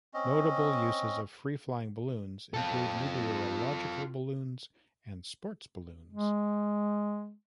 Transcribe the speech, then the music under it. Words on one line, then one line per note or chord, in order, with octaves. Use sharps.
Notable uses of free-flying balloons include meteorological balloons and sport balloons.
C4 C#4 D#5
F4 A4
G#3